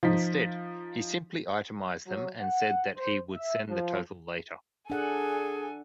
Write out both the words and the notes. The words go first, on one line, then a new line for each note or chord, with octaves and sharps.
Instead, he simply itemised them, and said that he would send the total later.
F3 D#4 B6
F#3
F#5
C5
E5
F3
D4 G#4 A4 F#5 G#5